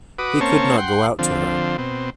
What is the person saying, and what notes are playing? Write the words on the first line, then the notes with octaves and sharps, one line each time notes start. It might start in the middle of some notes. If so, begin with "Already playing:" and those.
He could not go out to her.
F#4 B4 D6 D#6
A#3 C4 C#4 C#5 A5
F#5 G5 C6
D3 F3 C4
B2 C4